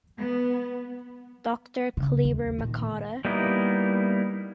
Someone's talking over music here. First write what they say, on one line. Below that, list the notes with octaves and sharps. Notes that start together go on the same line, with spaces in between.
Doctor Kleber Machado.
B3
C#3
D#2
A#2 D#3
G3 A#3 B3 D#4 E4